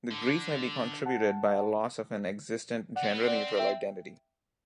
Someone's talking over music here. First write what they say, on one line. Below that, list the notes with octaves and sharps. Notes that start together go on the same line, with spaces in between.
The grief may be contributed by a loss of an existent gender-neutral identity.
D3
F#5 A5
D5 F#5
C4
B3
C4
D5 F#5
E5 G5